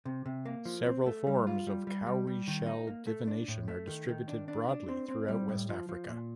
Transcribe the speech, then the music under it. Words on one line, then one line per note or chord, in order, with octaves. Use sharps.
Several forms of cowrie-shell divination are distributed broadly throughout West Africa.
C3
C3
A#3
F3
C4
A3
G3
F4
G3
G3
G3
G3
D#3
D#4
A#3
A3
D4
A2
A3
D#3
D#3
D4
D4
D4
C4
C4
G3
A2
F3
F3
A#2